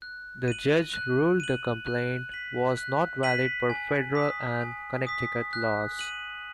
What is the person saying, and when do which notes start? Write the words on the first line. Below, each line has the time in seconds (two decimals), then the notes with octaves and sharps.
The judge ruled the complaint was not valid per Federal and Connecticut laws.
0.02 F#6
0.48 D#7 F#7
0.94 F#6
1.40 D#7 F#7
1.86 F#6
2.32 B6 D#7 F#7
2.77 F#6
3.23 B6 D#7 F#7
3.70 G#5
4.15 D#6 B6
4.61 G#5
5.07 D#6 B6
5.53 F#6
5.99 D#7 F#7